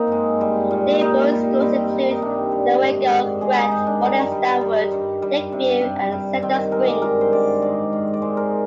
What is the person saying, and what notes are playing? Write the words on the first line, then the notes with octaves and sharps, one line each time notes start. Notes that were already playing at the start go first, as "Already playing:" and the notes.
Neighboring schools include Newaygo, Grant, Morley-Stanwood, Lakeview and Cedar Springs.
Already playing: A#3 C4 D#4
G#3
G3
A#2
G3 D#4
G3
G3 C4
D#3
D#4
C3 D4
G3
G#2
G#2
G#3 G#4
D#4
D#3 D#4
D4
G3 D#4
G3
G3
G2
G3
C3
C3
G3
D#3 C4
G#3 A#4
D5
G2 A#4
C5
D#3 D5
G#2 D5
G#2
D5
G#3 C5
A#4